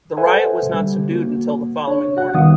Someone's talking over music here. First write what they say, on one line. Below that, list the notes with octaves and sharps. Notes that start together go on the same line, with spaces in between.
The riot was not subdued until the following morning.
A4 B4 C5 E5 F#5 G#5
D3 G3
A#3 F#4
D4 C#5
F#4 F#5
D2 D#3 G3 B3 F5 D#6